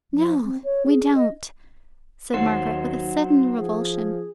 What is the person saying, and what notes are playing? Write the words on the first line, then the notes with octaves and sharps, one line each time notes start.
"No, we don't," said Margaret, with a sudden revulsion.
F3
C4
C#5
G#4
D#5
D#2 F#3 D#4 C5 F#5 C7
F3 G#4